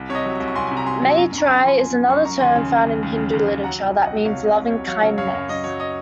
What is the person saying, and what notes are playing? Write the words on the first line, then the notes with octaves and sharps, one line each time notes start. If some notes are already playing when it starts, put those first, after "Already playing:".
"Maitri" is another term found in Hindu literature that means "loving-kindness".
Already playing: C2
C3 C#5
D#5
F#3
C2
C#6
C2 G#5 C6
G#5
C3
A#5
C3 G#5 C6
F#3
F#2 A#5 C#6
F#2
A#5 C#6
F#2
G#5 C6
F3
F#2 G#5 C6
F#2
F#2 C#6
F#2 A#5 C#6
D#2 G#5 C6
C#3
C#3
D#2
D#2
C#3
D#2
D#2
F#3 F#5 A#5
C2
C2
D#5 F#5
C2
C3 C#5 F5
C3
D#5
C2
C#5
F#3
F#3 C#5 F5
C#3
F#2 C#5 F5
F#2
F#2 D#5
F#3 C#5
D#5